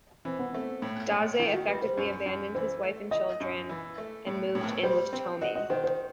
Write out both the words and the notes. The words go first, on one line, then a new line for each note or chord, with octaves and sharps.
Dazai effectively abandoned his wife and children and moved in with Tomie.
E3 C4
B3
A3 C4
A2
A2
D#3 E4
F#4
G3 B4
C5
F#2
F#2
E3 C5
A3
E4 D#5
F#2
E3
A3
A2
A2
G3 C5
C4
F#4 D#5
D#5
D#3 C5
C5